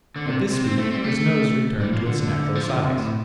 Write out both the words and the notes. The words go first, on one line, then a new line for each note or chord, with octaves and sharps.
At this speech, his nose returned to its natural size.
D3
C3
C3
C4
A3
C4
G3
A3
G3
F3
D3
F3
D3
C3
A2